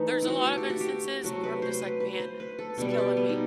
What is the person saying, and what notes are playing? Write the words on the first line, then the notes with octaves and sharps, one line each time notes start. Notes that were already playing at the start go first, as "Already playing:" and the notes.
There's a lot of instances where I'm just, like, "Man, it's killing me,"
Already playing: E3 A3 D#4
E4
F#4
A4
G4
F#4
G4
C3 F#3 A3 F#4
B4
C5
B4
B4
C5
B4
A4
B2 G3 B3 A4
G4
B3
D#4